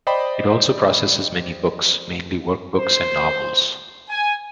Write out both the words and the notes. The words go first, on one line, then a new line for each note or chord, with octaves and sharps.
It also processes many books, mainly work books and novels.
C5 D5 D#5 G5 B5
C5
G#5